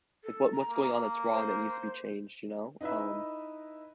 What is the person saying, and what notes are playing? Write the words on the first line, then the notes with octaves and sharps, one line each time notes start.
Like what what's going on that's wrong that needs to be changed, you know? Um
A4
A#5
A#3
C5
D#4 E4 B4 D#5 E5